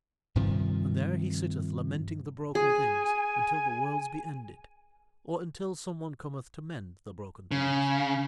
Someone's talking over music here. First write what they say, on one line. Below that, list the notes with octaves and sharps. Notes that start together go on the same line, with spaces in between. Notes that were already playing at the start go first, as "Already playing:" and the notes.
And there he sitteth lamenting the broken things until the worlds be ended, or until someone cometh to mend the broken things.
G2 C3 D#3 F3
G#4 G#5
C#3